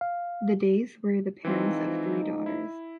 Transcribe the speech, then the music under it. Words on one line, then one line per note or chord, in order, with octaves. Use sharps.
The Days were the parents of three daughters.
F5
E3 F3 G#3 C4 D#4 F4
E4